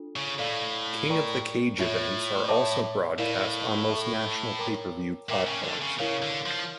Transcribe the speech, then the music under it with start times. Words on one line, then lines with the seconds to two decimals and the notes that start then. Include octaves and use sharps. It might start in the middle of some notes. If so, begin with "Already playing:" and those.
King of The Cage events are also broadcast on most national pay-per-view platforms.
Already playing: D4 F4 A4
0.16 C#3
0.39 A2 A4 D5 F5
1.09 A#4 D5 G5 A#5 C#6
1.78 A2 F4 C#5 E5
2.48 C#5 E5 A5 D6
3.18 A2 E4 A#4 D5 F5
3.89 A4 E5 A5 C#6
4.59 A#4 C#5 G5 A#5 D6
5.29 A#2 A#4 E5 G5 A#5 D6
5.47 C#3
5.64 D3
5.82 C#3
5.99 C#3 E4 A#4 C#5 F5
6.22 D3
6.46 F3